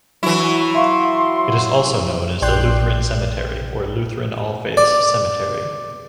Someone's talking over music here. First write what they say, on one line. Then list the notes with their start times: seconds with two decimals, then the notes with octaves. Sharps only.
It is also known as the Lutheran Cemetery or Lutheran All Faiths Cemetery.
0.23 E3 F#3 E4 C#6
0.75 E5 F5 C6 C#6
2.42 A#1 D5 G5 C6 F#6 G6
4.77 D5